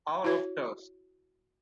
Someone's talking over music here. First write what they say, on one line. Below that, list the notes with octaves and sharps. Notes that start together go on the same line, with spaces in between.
Hour of Terce.
E4 F#4 C#5